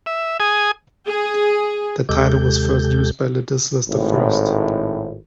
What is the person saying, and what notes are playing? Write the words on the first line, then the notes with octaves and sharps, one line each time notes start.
That title was first used by Ladislaus the First.
E5
G#4 G#5 D#6
G#4
D#2 C3 G#3 G4 A4 G6
G#1 A2